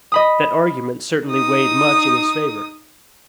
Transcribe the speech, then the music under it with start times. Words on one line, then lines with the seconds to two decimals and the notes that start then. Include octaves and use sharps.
That argument certainly weighed much in his favor.
0.12 D#5 B5 D#6
1.28 D#4 D#6